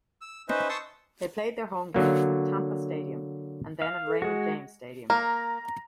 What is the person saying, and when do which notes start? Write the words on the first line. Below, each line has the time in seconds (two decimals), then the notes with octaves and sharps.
They played their home games at Tampa Stadium and then at Raymond James Stadium.
0.21 E6
0.49 C#4 D#4 B4 C5 D#5 E5
0.69 A5 C6 C#6 D#6 E6
1.94 D3 F#3 A#3
3.82 F5
4.07 A4
4.22 G#3 F#4 G#4
5.10 A#3 A#5